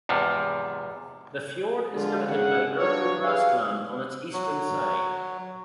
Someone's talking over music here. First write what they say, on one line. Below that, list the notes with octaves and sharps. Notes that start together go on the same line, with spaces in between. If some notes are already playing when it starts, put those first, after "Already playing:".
The fjord is limited by Gertrud Rask Land on its eastern side.
E2 G#2 C3 F3
D3 F3 G#3 F4
G#2 C#3 F#5
F#3 G3 D4 F4 B4 C#5
G4 G#4 B4 C#5 D5 F5
F#3